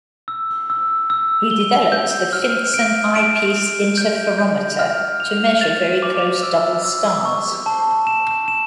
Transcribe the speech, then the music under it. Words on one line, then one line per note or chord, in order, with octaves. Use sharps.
He developed the Finsen eyepiece interferometer to measure very close double stars.
E6
E6
E6
G7
G6
F6
D7
D7
D7
G6
G6
F6
F7
A6
D6
E6
E6
C#6
A5
E7
E7